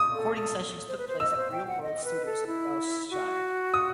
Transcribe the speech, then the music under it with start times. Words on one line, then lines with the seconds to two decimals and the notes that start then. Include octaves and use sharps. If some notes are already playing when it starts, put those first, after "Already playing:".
Recording sessions took place at Real World Studios in Wiltshire.
Already playing: D#6
0.15 A4
0.35 A4
0.88 C5
0.98 B4
1.08 C5
1.20 D#5 E6
1.31 D#5
1.36 C5
1.52 G5
1.68 F#5
1.83 D#5
2.04 B4
2.26 A4
2.47 E4
3.11 F#4
3.74 D#6